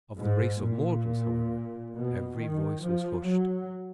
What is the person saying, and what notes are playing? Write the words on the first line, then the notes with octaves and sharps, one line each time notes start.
Of the race of mortals, however, every voice was hushed.
G#2
A#2
B2
D#3
F3
F#3